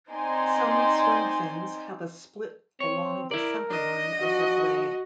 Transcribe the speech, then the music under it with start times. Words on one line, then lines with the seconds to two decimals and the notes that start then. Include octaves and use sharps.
Some swimfins have a split along the centreline of the blade.
0.10 C4 D#4 C5 D5 G#5 C6
2.80 C4 C#5
3.31 E4 A#4 D5
3.70 D4 D#5
4.20 F3 F#4